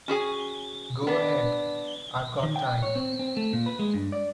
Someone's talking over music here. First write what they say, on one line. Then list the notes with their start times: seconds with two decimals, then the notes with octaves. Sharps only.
Go ahead, I've got time.
0.08 C#4 F#4 G#4 G#5
1.07 B3 D4
2.43 D#3
2.56 G5
2.83 C#5
2.96 C4
3.19 C4
3.37 A3
3.53 A#2
3.66 B4
3.79 G#3
3.94 G2
4.12 D5